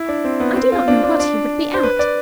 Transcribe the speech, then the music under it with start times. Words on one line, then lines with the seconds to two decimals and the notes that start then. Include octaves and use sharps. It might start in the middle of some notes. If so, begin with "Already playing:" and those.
I do not know what he would be at.
Already playing: E4
0.09 D4
0.25 C4
0.40 B3
0.56 C4
0.72 F4
0.88 D4
1.04 D4
1.20 D4
1.74 C5
1.83 B4
1.99 D5